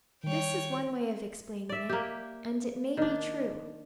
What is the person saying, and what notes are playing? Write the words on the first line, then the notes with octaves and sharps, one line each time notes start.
This is one way of explaining it, and it may be true.
D#3 G3 C#5 G5
D5 E5
A#3 G4
D#3 D4